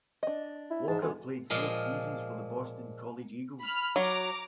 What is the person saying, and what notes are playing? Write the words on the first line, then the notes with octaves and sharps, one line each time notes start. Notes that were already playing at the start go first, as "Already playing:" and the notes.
Walker played four seasons for the Boston College Eagles.
D4 D#5
E4
G#2 A5
D2 G#3 B3
A#2 F3 G#3
B5 F6
F#3 A#5 D6